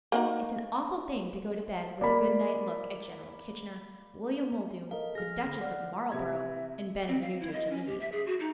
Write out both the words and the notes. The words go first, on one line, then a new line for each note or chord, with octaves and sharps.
It's an awful thing to go to bed with a good-night look at General Kitchener, William Muldoon, the Duchess of Marlborough, and Benvenuto Cellini.
A#3 D#4 F#4
A#3 D5 B5
A4 A#4 D#5 F5
F3 G#4 F6 A#6
D3 A4
D5 F#5 F6
C3 E5 G#6
C4
F5
E4
D#5
C#4
G4
E5
G#4
F#4
D#4